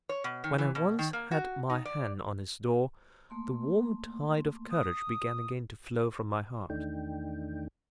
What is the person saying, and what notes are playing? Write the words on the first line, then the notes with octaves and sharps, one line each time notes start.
When I once had my hand on his door, the warm tide of courage began again to flow from my heart.
C#5
B2
D#3
E3
B2
D#3
A#3
F#4
D#4
D5
A3 A#3 C6
D#6
E2 D#3 A3 D4 D#4 G5